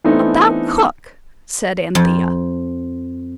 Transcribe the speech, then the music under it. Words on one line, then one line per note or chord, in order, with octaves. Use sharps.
'About cook,' said Anthea.
E3 A3 B3 C4 D4 D#4
F2